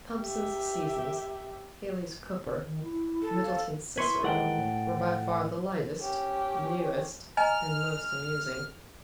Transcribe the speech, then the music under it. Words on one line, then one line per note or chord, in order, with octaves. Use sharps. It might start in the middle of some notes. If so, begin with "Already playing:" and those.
Thomson's Seasons, Hayley's Cowper, Middleton's Cicero, were by far the lightest, newest, and most amusing.
G4 E5
D#3
E4
A4
F5
E4 B4 C6 C#6 G#6
D#3 E3 G#3 A4 F#5 G5
A2
C#4 G4
D#5 G#5 A#5 F6